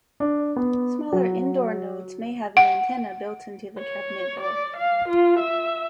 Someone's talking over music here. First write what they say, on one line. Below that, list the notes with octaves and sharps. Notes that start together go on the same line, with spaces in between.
Smaller indoor nodes may have an antenna built into the cabinet door.
D4
B3
F#3
F#5
C#5
D5
F5
F4
E5